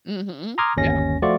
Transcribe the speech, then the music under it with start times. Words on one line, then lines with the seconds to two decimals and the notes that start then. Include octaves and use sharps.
Mhm, yeah.
0.58 A#5 C6 D6 D#6 F6 G#6
0.77 G1 D#2 C#4 A#6
1.22 F3 A3 F4 F#4 D5 C#6